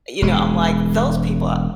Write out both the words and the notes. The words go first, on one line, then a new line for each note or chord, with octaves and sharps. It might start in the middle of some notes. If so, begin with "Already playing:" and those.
you know, I'm like "Those people
E1 G#3